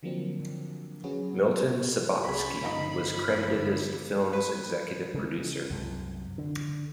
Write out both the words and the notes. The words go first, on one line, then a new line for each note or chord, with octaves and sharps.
Milton Subotsky was credited as the film's executive producer.
D3 F3 F#3 A#3 C4 D4
F#3 C#4 F#4 G#4 B4
C2 C#4 F#4 G#4 B5
G1 E2 D3 F3 D#4 D#5 F5
E3
B4
C#3 G#3
C2 F#2 C3
D3